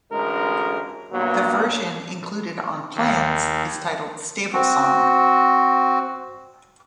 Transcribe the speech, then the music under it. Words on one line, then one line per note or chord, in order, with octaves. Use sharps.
The version included on "Plans" is titled "Stable Song".
A1 D2 G#3 A#4
G2 B2 F#3 A#3
D#2
C4 F#4